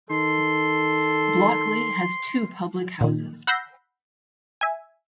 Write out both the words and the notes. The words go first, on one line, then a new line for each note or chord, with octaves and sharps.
Blockley has two public houses.
D#3 A4 C6
A#2 D#3
F#5 B5 E6 G6 A#6 C7
E5 G#5